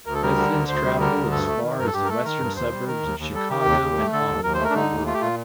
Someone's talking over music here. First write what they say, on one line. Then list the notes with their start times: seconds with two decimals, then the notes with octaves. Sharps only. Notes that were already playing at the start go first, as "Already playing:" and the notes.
Residents travel as far as the western suburbs of Chicago and Ottawa for work.
0.06 D2 A#4
0.14 A4
0.22 G3 A#4
0.38 D3
0.53 D2
0.68 D2 C5
0.85 G3
1.00 D3 A#4
1.16 D2
1.32 G2 A4
1.47 A3
1.62 D#3
1.78 G2 A#4
1.86 A4
1.94 G2 G4
2.05 A#4
2.09 A3 A4
2.25 D#3 A#4
2.41 G2
2.56 D#2 C5
2.72 G3
2.88 D#3 A#4
3.03 D#2
3.19 D#2
3.34 G3 A4
3.50 D#3 G4
3.65 D#2
3.81 D#2
3.97 A3
4.12 D3 A4
4.28 D#2
4.43 D#2 A#4
4.54 C5
4.59 A3
4.65 A#4
4.70 D4
4.75 D3 D#4
4.90 D#2
5.06 A3 F4
5.14 G4
5.21 A#2 F4